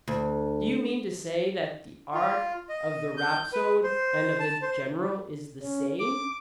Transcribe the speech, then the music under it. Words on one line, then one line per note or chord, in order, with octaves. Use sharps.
Do you mean to say that the art of the rhapsode and of the general is the same?
D2
F4
D#5
G6
B4
C5
A5
C5
C#4
D6